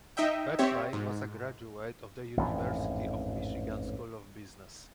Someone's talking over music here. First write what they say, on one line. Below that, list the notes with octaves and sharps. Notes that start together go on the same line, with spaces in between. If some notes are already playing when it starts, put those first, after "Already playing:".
Wechli was a graduate of the University of Michigan School of Business.
D#4 D#5 E5 G5
C4 G4 C#5 E5
G#2
A1 F2 G#2